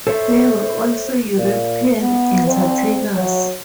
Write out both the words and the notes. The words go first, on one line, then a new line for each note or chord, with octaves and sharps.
There were also European entertainers.
A4 C5 C#5 E5
A#2
B3
C4
F#3